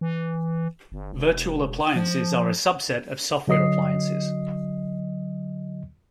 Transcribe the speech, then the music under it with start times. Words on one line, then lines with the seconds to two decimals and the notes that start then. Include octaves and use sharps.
Virtual appliances are a subset of software appliances.
0.01 E3
0.92 G1
1.14 E1
1.95 F3
3.48 D3 F#3 D#5 D#6 C7